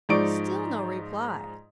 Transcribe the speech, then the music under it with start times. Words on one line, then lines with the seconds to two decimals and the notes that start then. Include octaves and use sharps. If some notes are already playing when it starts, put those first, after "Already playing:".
Still no reply.
0.09 G#2 F3 D#4 D5 C#6 D7